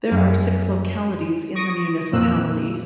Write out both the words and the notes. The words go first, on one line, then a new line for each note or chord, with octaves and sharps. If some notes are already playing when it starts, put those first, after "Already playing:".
There are six localities in the municipality.
F#2
C#6 D#6 A#6 D7 D#7
F2 A#2 A#3 C4 E6 F#6